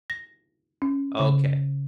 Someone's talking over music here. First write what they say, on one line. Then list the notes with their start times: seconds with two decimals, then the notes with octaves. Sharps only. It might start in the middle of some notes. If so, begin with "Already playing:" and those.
oh okay.
0.10 A#6
0.82 C#4
1.19 C#3